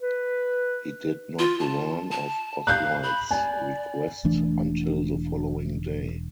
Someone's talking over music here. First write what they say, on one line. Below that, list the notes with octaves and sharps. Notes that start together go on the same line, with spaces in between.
He did not learn of Oswald's request until the following day.
B4
F4
A5
A5
F5 F#6 G6
B5
D5 G#5
E1 E3 A3 D4